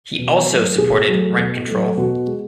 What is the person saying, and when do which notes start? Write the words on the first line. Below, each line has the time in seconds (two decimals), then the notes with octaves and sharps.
He also supported rent control.
0.19 B2
0.48 F#3 A3
0.78 B2 G#4
1.08 F#3 A3
1.38 B2
1.67 F#3 A3
1.97 B2 F#4
2.27 G#3